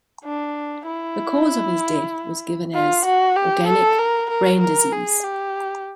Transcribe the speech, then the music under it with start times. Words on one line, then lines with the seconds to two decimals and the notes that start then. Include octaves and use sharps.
The cause of his death was given as "organic brain disease".
0.25 D4
0.87 E4
2.74 F4
3.05 F#4
3.36 G4
3.67 A4
3.98 A#4
4.30 A#4
4.61 A#4
4.92 G#4
5.23 G4